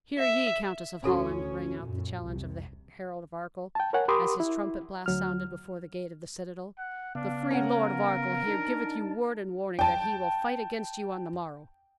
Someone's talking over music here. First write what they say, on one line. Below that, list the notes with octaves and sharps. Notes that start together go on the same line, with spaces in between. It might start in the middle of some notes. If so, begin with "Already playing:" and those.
"Hear ye, Countess of Holland," rang out the challenge of the herald of Arkell, as his trumpet-blast sounded before the gate of the citadel, "the free Lord of Arkell here giveth you word and warning that he will fight against you on the morrow!"
E5
D2 C#4 F#4 A4 G#5
F#2 A#2
C2 F2 C3
G5 A5
A#4 C#5 F#5 G#5
G4 A#4 B5 C6 D6 D#6
E4
D2 F#3 F6
F#5
C#3 B3 D4 F5
C#4 A#4 F#5
D4 D#4 A5
G5 A5